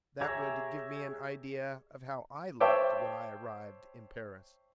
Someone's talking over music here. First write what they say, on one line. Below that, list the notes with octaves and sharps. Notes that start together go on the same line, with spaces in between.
That would give me an idea of how I looked when I arrived in Paris.
G4 G#4 C#5 E5 A#5
C5 C#5 E5 G5 A5 D6